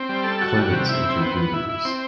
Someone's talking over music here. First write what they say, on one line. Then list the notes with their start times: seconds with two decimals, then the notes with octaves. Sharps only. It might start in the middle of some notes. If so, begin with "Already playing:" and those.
Clemens Inter Booters.
Already playing: C4
0.09 G3
0.24 A4
0.41 F#4
0.56 G3
0.73 C3
0.89 E4
1.05 C4
1.21 B3
1.36 B3
1.54 E4
1.69 E4
1.85 C4